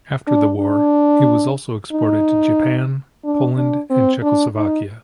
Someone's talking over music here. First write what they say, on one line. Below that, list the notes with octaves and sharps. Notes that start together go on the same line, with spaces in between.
After the war, it was also exported to Japan, Poland and Czechoslovakia.
D4
D4
D#4
D4
D4
C4
D4
D#4